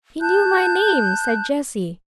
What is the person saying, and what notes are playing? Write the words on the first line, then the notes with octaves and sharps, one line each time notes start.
"He knew my name," said Jessie.
A5 F#6 G6